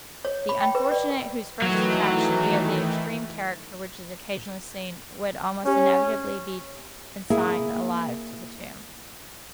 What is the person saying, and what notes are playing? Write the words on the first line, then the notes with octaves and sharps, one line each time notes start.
The unfortunate whose first attack should be of the extreme character which is occasionally seen, would almost inevitably be consigned alive to the tomb.
C#5
B5
G5
B4
D5
A#4
D#3 E3 F#3 A3
C#4 G4 C#5
A#3 E4 G#4